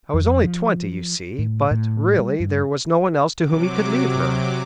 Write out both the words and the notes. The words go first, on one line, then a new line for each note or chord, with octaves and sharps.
I was only twenty, you see; but, really, there was no one else to whom he could leave her.
F2
F3
A2
A2
G3
G2
C3 F#3 D6